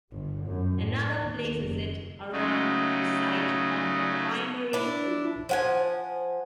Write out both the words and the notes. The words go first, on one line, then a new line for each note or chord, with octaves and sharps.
Another places it around the site of the primary school.
G1
F#2
A2
D#2
F#1
C#3 F#3 A3 D#4
D4 E4
F3 F#5 G#5